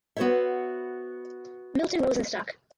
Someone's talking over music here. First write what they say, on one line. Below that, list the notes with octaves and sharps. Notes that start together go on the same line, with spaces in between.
Milton Rosenstock.
B3 F#4 G4 C5 C#5 E5